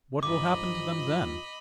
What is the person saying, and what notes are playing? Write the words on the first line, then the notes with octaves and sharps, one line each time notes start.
What will happen to them then?
G2 D#3 F3 D#5 B5 D6